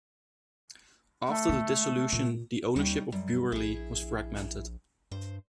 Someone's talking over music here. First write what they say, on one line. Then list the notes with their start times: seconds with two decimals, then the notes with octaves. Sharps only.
After the Dissolution the ownership of Bewerley was fragmented.
1.28 A3
1.49 D3 G#3
2.12 A#2
2.76 D#2 G3 C#4 D#4
3.12 F#2 G3
3.52 A#1 E4 G#4
5.11 G2 C5